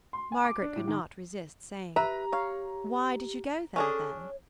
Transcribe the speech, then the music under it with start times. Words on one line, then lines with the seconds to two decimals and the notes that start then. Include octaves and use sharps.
Margaret could not resist saying, "Why did you go there, then?"
0.13 C6
0.32 G#5
0.44 D6
0.62 D4
0.76 A2
0.88 D#3
1.96 G4 B4 E5 A#5
2.32 C#5 F5
3.76 C#4 D4 G#4 A4
4.18 C#5